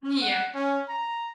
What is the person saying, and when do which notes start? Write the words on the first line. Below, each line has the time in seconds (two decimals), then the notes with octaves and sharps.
Mm. Yeah,
0.21 F#5
0.54 C#4
0.89 A#5